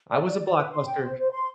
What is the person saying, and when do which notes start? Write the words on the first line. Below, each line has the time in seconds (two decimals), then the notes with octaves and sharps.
I was a Blockbuster
0.10 D5
0.25 D5
0.40 D5
0.56 B4
0.71 C6
0.86 G5
1.02 C5
1.17 C5
1.32 C6